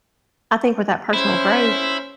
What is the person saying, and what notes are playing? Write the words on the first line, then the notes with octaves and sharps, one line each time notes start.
I think with that personal growth,
C#4 E4 C5